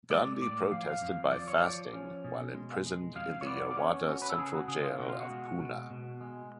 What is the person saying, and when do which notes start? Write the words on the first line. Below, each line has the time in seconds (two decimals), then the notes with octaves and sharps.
Gandhi protested by fasting while imprisoned in the Yerwada Central Jail of Poona.
0.10 G#3 D5
0.41 A2 D5
0.71 F3 F5
0.87 F5
1.02 F2
1.32 F3 D5
1.48 C#5
1.64 F3 D5
1.94 C#4
2.24 B2
2.54 G#3
2.85 G#3
3.15 F2 F5
3.41 C#5
3.46 B3 D5
3.71 D5
3.77 C#4 C#5
4.08 C#4 F#4
4.22 B4
4.30 A4
4.38 C#3 G#4
4.53 F#4
4.68 C#3 G#4
4.83 F4
4.99 B2 F#4
5.09 F4
5.20 F#4
5.30 G#3
5.59 B2
5.91 B2
6.21 G#3